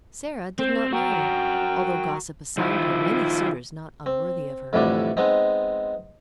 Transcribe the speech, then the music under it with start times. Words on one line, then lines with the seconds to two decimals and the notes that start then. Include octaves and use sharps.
Sara did not marry, although gossip assigned her many suitors not unworthy of her.
0.59 C4 C5
0.93 F#4 A#4 G5
2.58 D#3 F3 E4 F4
4.06 C4
4.73 F2 A2 D3 E3 G3 D4
5.17 G#3 B3 C4 D#4